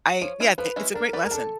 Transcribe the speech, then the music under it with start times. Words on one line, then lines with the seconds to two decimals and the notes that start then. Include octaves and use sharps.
I yeah, it's a great lesson.
0.21 F3 C#5
0.40 G#3 C#4 E4
0.58 F3 B4
0.76 G#3 C#4 E4
0.94 D4 A#4
1.13 G4 B4 D5
1.25 A#4
1.31 D4 A4